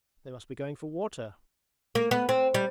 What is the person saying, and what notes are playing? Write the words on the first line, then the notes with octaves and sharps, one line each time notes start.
'They must be going for water.'
A#3
B3
C4
G3